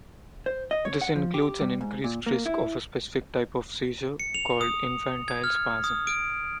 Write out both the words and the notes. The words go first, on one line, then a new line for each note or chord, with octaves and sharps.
This includes an increased risk of a specific type of seizure called infantile spasms.
C5
D#5
C#5
F#5
F3
G4
G3
G#2
A#2
A#3
E4
C#7
F7
D#6
G#6
F6
D#6
D7